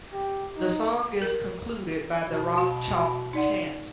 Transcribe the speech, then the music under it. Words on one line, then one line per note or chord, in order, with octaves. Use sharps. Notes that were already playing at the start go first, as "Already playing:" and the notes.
The song is concluded by the Rock Chalk Chant.
G4
D#4
A#4
B2
F#4
D#4 D5 F#5